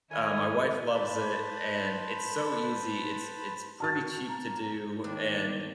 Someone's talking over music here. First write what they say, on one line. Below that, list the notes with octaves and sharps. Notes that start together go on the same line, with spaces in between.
Uh, my wife loves it, and it's so easy, it's it's pretty cheap to do, and
D#3 E4 A4 A#4 C#5 G#5
B4 C5 A5 B5
F#4 A5 F6 A6
A#5
D#2 D#3 D4